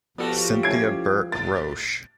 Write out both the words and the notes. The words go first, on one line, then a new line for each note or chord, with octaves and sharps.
Cynthia Burke Roche.
F3 G3 B3 F4 F#4 A4
A3 C#4 E4 G#6 C7 D7
A2 A6